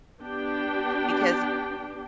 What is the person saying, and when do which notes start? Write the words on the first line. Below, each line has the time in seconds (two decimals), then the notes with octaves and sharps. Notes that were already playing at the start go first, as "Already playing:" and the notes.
because he
0.20 B3 D4 G4 G5